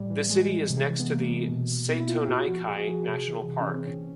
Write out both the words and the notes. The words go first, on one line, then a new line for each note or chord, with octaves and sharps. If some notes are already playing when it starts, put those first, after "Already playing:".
The city is next to the Setonaikai National Park.
Already playing: A2 G3
E3
A2 G#3
E3
C3
E3
B3
C3 A#3
E3
B2
B2 B3
E4
F4
A#2 F#4
F3 F#4
A#2 G#4
F3 G#4
C3
E3
C3
C#4
E3
C4
A#2 C#4